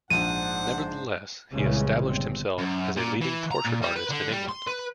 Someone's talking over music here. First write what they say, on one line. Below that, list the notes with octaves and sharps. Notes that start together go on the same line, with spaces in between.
Nevertheless, he established himself as a leading portrait artist in England.
A#1 G#2 D4 C5 F#5 D#7
C2 A#2 C#3 E3 G#3 C#4
G1 C4
F#2
A#2
E3
A#5
A#2
G3
B4
D3
G3
C6
B4